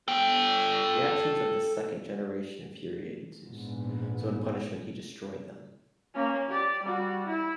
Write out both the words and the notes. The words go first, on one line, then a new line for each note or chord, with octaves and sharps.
The actions of the second generation infuriated Zeus, so in punishment he destroyed them.
A4 G5
A#1 G#2 B3
A#3 C#4
G4 D5
G3 F#4
E4